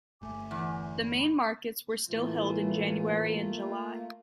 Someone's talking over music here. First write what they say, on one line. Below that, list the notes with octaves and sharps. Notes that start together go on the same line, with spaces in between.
The main markets were still held in January and July.
G1 A3 E5 G#5 D6
E2
B5
A2 E3 A3 A#3 F4